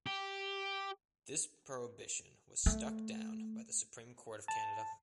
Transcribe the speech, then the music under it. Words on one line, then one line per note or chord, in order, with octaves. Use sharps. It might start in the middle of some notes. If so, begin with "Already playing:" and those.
This prohibition was stuck down by the Supreme Court of Canada.
G4
A3
A5